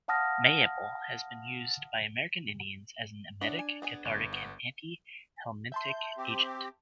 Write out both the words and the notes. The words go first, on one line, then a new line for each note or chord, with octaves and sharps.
Mayapple has been used by American Indians as an emetic, cathartic, and antihelmintic agent.
F5 F#5 A5 D#6 F6 A#6
B3 D4 E4 C#5
G#5
B3 G#4 G#5
G1
B3
E5 A5 C6 G6
C4 G4